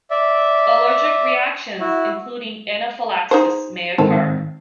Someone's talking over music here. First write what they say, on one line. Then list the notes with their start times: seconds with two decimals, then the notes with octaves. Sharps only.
Allergic reactions, including anaphylaxis, may occur.
0.10 D5 E5
1.80 E4 F#4
3.31 D#4 G#4 C5
3.98 G#2 D#3 C4 A4